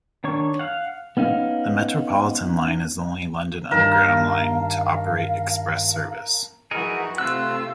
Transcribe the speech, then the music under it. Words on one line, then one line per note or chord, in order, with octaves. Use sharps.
The Metropolitan line is the only London Underground line to operate express service.
D#3 D4 C#5 C#6
F5 F#5
B3 C#4 D#4 F5
G2 D#3 D#4 A#4 F5 A5
E3 D#4 F#4 G#4 A#4
C3 A3 F4 E6 F#6